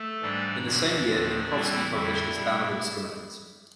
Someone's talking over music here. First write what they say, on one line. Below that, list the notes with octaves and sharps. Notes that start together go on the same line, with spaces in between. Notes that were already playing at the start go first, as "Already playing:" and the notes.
In the same year, Minkowski published his bound on the discriminant.
Already playing: A3 A4
G#2 E3 G3 D4 D5
E2 B2 F#3 A#3 C#4
D#2 D3 F3
A2 E3 G3 C4 E4 E5
F2 D3 G3 E4 E5
B2 G3 B3 D4